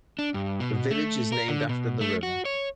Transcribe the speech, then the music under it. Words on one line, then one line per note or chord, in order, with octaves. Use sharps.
The village is named after the river.
D4
G2
B2
A3
A#4
D3
B2
A3
F#4
C#5